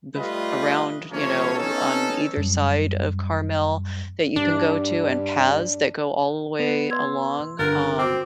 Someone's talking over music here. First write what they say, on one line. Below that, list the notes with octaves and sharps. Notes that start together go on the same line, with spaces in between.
bef around, you know, on either side of Carmel that you can go to and paths that go all the way along, um,
G3 A3 F4 B4 D#5
C#3 F3 A3 A#3 C#4 C#5
B3 C#4 D#4 A4
F#2 G3
G2 D4
B3 F7
C6 E6 G#6
G1 D4 A#4 F#6 A6
C4 F#4 D6